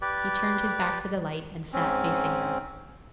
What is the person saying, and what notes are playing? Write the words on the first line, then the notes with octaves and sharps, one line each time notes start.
He turned his back to the light, and sat facing her.
G4 B4 D5
G#2 C4 C#4